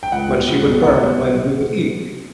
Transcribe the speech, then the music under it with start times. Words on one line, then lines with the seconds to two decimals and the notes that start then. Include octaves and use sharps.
when she would burp, when we would eat,
0.03 G5
0.12 C#2 F#5
0.29 B2 G3
0.47 C#2
0.65 B2 G3
0.82 C2 F#5
1.00 B2 G3 C4